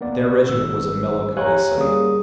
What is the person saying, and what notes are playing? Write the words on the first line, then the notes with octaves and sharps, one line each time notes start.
But their regiment was a melancholy sight.
A#3 B3 D5
G#1 E6
G4 C#5 F5 G#5 A#5 F#6
G3 A#3 C#4 G#4 D#6